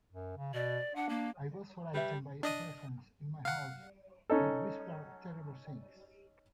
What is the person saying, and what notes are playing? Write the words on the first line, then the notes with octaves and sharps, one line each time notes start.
I was frightened by a presence in my house that whispered terrible things.
F#2
C#3
B2 D5
D4 F#5
A#3
G3 B4 E5
D4 D#5 D#6
F5 F#5
C#4 D#4 A4